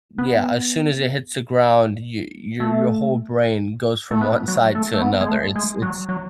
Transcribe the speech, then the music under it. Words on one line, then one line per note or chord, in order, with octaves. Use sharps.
yeah, as soon as it hits the ground, y your your whole brain goes from one side to another. It's it's
B3
A3
A3
B3
F#3
A3
A3
B3
G#3
A3
G#3
F#3
F#3